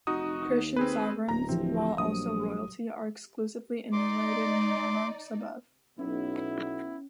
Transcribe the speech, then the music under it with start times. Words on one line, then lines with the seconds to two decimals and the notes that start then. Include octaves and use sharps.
Christian sovereigns, while also "royalty", are exclusively enumerated in "Monarchs" above.
0.07 F1 D#4 F#4 D#6
0.48 D#2
0.76 C4 G#4 B4
1.28 D1 A#5 A#6
1.49 E3 F3 C4 G4
1.98 A#1 F#3 G3 D#6
3.92 D#4 D5 C6 D6
5.99 B1 B3 C#4 E4